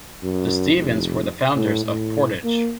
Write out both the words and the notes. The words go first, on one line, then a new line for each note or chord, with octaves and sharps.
The Stevens were the founders of Portage.
F#2
F1
A2
A2
A#3